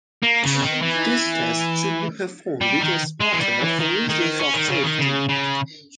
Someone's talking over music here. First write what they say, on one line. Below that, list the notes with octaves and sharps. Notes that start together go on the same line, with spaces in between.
This test should be performed with a spotter for reasons of safety.
A#3
C#3
D#3
E3
G3
D#3
G#3
E3
G3
E3
D#3
D#3
C#4
D#3
C#3
D#3
C#3
C#3